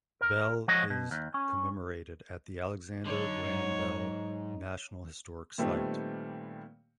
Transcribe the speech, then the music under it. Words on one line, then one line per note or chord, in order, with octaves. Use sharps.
Bell is commemorated at the Alexander Graham Bell National Historic Site.
A#4
F3 G#3 C#5 D#5 F#5
B2
D#2
C#4
D3 F#3 D#4 C#5
G#2
A#2 D#3 G3 A3 B3 C4